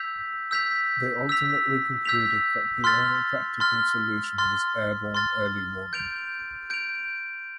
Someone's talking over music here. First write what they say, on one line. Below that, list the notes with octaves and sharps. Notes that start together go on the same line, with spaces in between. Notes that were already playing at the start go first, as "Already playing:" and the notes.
They ultimately concluded that the only practical solution was airborne early warning.
Already playing: E6 G6 B6 F7
E6 G6 B6 F7
E6 G6 B6 F7
E6 G6 B6 F7
C6 F6 A6
C6 F6 A6
C6 F6 A6
C6 F6 A6
G6 D7 F7
G6 D7 F7